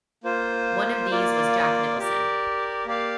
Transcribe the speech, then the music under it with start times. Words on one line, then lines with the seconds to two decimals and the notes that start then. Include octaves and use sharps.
One of these was Jack Nicholson.
0.23 A#3 F4 C5
1.10 A#3 F4 D5
1.99 G4 A#4 D5
2.86 A#3 G4 D5 F5